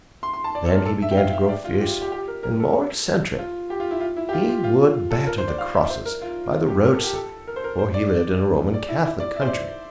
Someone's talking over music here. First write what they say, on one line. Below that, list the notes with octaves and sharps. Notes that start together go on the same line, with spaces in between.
Then he began to grow fiercer and more eccentric; he would batter the crosses by the roadside; for he lived in a Roman Catholic country.
C6
C6
A5
D5
A4
A#4
A4
E5
G5
F5
E5
D5
F4
G4
F4
G4
G4
A#4
A#4
A4
F4
G4
F4
E4
F4
E4
G4
F4
F4
F4
A4
A#4
C5
D5
F5
E5
C5
A#4
F4
F4
G4
A#4
A4
G4
A4
A#4
C5
A#4
C5
D5
D5
E4
E4
D5
E5
C5
D5